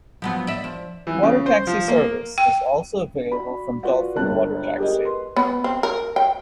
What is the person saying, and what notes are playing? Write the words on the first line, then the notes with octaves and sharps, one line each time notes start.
Water taxi service is also available from Dolphin Water Taxi.
F3 F#3 B3
D5 E5
F3
E3
C#3
C5
F3
A#3
G5
F#4 D5 B5
F4 F#4 B4 D5 F#5
G1 C#2 D4 A#4 A5 F#6
G4 G#4 A#4 D#5
B4 C6
B3
C4
A#4
G5